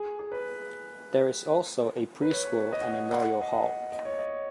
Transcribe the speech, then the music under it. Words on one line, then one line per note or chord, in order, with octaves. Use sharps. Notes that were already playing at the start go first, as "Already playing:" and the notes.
There is also a Pre-school at Memorial Hall.
Already playing: G#4
G#4
B4
B4
C#5
D#5
F#5
D#5
F#5
D#5
F#5
D#5
C#5
D#5